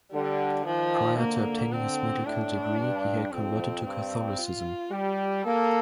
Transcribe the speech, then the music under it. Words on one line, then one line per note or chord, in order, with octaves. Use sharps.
Prior to obtaining his medical degree, he had converted to Catholicism.
D3 G3
D#3 F3
D3 A#3
D3 C4
A2 D4
G2
F2 C4
G2 C4
F4
G3 G4
A#3 A4